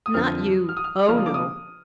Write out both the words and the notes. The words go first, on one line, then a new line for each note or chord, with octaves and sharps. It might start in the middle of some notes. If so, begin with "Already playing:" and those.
"Not you--oh no!"
D#6
F2 D3 F3 C4 F6
F6
D#6
F6
D3 F3 A#3 D4 F6
D#6
D6
D#6